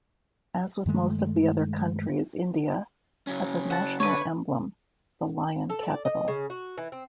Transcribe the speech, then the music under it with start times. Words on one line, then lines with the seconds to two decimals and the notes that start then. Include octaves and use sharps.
As with most of the other countries India, has a national emblem-the Lion Capital.
0.86 G2 D#3 G#3 A3
3.27 C#3 F#3 C#4
3.70 F#5 A5
4.00 D3 B4 C#5
5.70 A4
5.83 D5
6.05 D#5
6.28 C#3
6.50 F#4
6.78 E3
6.92 C4